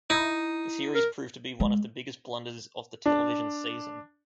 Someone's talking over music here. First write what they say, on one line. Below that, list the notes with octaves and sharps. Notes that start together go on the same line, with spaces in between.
The series proved to be one of the biggest blunders of the television season.
D#4 E4
A#4
G#3
D4